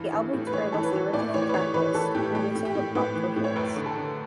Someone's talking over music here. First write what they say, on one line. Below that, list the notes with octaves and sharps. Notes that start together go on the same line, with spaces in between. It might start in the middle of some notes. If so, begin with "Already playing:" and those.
The album scrambles the original track list, reducing the plot's coherence.
Already playing: G2 E3
E3
A2
B4
E3 C#5
E3 A4
B4
E3
A2 D5
E3 C#5
B4
E3 C#5
E3 B4
E3 A4
A2 G4
A2 G4
A2
G4
A2
A2 B4
E3
A2
C#5
F#2 B4
D3
A4
D3